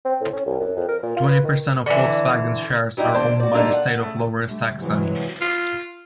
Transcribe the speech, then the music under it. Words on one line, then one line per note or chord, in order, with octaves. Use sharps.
Twenty percent of Volkswagen's shares are owned by the state of Lower Saxony.
C4
A2
C#4
C2
F#2
F2
A#4
A#2
F4
B4
D#3
D3 E3
F#3 G3 D#4 E4
E2 A#3 D4 C5
F#4 D5
G3 A#3 D4 D#4 F4 A4
F#5
C#3 A3
D3 G3 A3
G2 C3 E3 F#3 G#3
F4